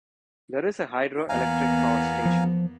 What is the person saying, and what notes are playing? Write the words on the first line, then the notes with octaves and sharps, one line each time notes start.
There is a hydroelectric power station.
E2 A#3 B3 F5 G#5 A#5
F3